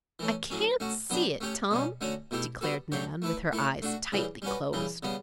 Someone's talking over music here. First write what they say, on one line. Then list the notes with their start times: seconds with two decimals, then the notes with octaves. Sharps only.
"I can't see it, Tom," declared Nan, with her eyes tightly closed.
0.19 E3 A3 C#4
0.50 A2 F#3 C#4
0.80 A3 C#4 F#4
1.10 F#3 B3 D4 G4
1.41 A3 C#4 G4 C#5
1.71 B2 G3 C#4
2.01 D3 A3 C#4 F#4 C#5
2.31 B2 A3 E4 G4
2.61 G3 B3 F#4 A4
2.92 F#3 A3 D4 G4 C#5
3.22 A3 E4 B4
3.52 A3 E4 A4 C#5
3.82 A3 D4 F#4
4.12 C#3 E3 G3
4.42 G3 C#4 F#4 B4
4.73 C#3 E3 G3
5.03 C#3 G3 B3